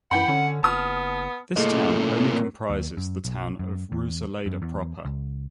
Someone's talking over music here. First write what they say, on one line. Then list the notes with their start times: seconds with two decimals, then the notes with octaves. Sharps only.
This town only comprises the town of Ruiselede proper.
0.11 F#2 E3 F#5 G5 B5
0.28 D3 C#4
0.63 F#1 B3 A5 D#6 F6
1.56 A2 A#3 G#4 A4 D#5
1.73 C#4 A4
2.31 C4 A#4
2.70 D#2
2.97 F#2
3.25 B1
3.59 F#2
3.92 E2
4.46 F#2
4.62 E2
5.05 C#2